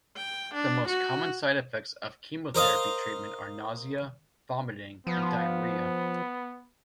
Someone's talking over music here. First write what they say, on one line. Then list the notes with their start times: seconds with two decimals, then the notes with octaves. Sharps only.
The most common side-effects of chemotherapy treatment are nausea, vomiting and diarrhea.
0.16 G5
0.54 D4
0.87 F#4
2.55 A#4 C5 D#5 F5
5.07 F3 B3